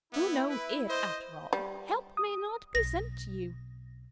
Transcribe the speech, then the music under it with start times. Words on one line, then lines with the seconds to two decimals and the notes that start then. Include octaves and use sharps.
Who knows if, after all, help may not be sent to you?'
0.12 B3 E4
0.50 B4
0.89 C5 D#5
1.53 G3
2.17 D#6
2.75 B1 C4 A#6